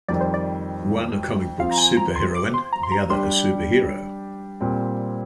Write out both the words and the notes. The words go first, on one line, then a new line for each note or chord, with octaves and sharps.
One a comic book superheroine, the other a superhero.
F2 D#3 G3 C4 D5
C5
D5
F3 C4 F4 F5
A#5
G#5
A#5
C6
D6
C6
A#5
C6
A#5
G3 D4 G4 C6
A#2 G3 C4